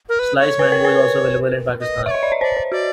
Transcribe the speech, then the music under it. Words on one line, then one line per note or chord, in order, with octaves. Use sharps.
Slice mango is also available in Pakistan.
A#4
B4
C#5
B4
A#4
B4
D#5
D5 E5
C#5 D#5
D5
C#5
C5 D5
C5
F#4 D5